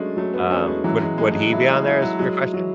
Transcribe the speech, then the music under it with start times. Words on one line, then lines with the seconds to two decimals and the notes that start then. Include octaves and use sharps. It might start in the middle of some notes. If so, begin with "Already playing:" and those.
Um, would would he be on there is your question?
Already playing: F#3 G#3 A3 C#4 D4
0.17 F#3 A3
0.34 B3
0.51 A3 C#4
0.67 G#3
0.84 E3 F#3
1.02 G#3
1.18 G#3 A3
1.32 G#3
1.35 F#3
1.52 F#3 E4
1.69 G#3
1.86 E4
2.02 F#3
2.19 F#3 G#3
2.54 F#3